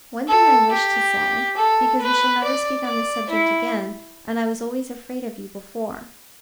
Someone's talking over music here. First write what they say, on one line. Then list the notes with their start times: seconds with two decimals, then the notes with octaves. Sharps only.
'One thing I wish to say, because we shall never speak on this subject again, and I was always afraid of you before.
0.28 A4
0.71 G4
1.57 A4
2.01 B4
2.44 D5
2.86 D5
3.30 E4